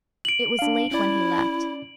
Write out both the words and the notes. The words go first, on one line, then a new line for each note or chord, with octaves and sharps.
It was late when he left.
D7 F#7
D4 F5
C#4 E4 D5